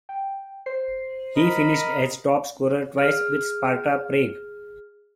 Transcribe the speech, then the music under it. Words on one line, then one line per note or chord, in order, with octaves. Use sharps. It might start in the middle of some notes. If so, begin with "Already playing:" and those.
He finished as top scorer twice with Sparta Prague.
G5
C5 C7
A#4 D#5 B5
G#4 F6